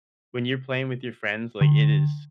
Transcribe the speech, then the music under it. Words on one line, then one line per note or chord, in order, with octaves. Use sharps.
when you're playing with your friends, like, it is
D3